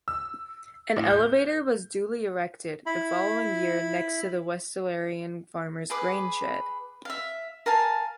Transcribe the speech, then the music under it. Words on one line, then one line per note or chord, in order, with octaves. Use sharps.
An elevator was duly erected the following year next to the Westralian Farmers grain-shed.
E6
A2
G6
E4 B5
G#4 B4 D6
E5 F5
A#4 F5 G#5 A5